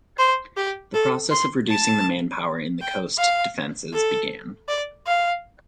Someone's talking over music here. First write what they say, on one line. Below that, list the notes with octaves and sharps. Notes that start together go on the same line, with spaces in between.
A process of reducing the manpower in the coast defences began.
C5
G4
A4
C6
A5
G5
F5
A4
D5
F5